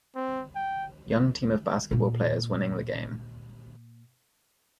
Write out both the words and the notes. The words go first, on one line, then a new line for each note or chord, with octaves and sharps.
Young Team of Basketball players winning the game.
C4
G5
A#2 A#3